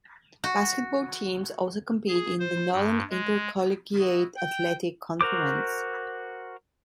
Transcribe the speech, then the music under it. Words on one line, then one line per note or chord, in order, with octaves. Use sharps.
Basketball teams also compete in the Northern Intercollegiate Athletic Conference.
F#4
G#4
C5
G2
G#3
E4 F#4 D#5
G5
F#4 A#4 C5 D6